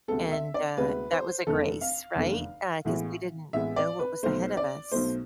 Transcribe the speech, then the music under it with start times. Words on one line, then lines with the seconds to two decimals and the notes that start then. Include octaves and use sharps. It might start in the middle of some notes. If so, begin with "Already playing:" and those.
and, uh, that was a grace, right? Uh, 'cause we didn't know what was ahead of us.
0.08 D2 C3 G#3 B3 A4
0.32 E5
0.54 D5
0.78 D2 C3 G#3 B3 B4
1.12 C5
1.47 F1 E2 D3 A3 A4
1.81 F5
2.15 F1 E2 D3 A3
2.85 A1 A2 E3 G#3 B3
3.53 A1 A2 E3 G#3 B3 E5
3.76 D5
3.99 B4
4.23 B1 B2 A3 C5
4.57 D5
4.92 B1 B2 A3 C5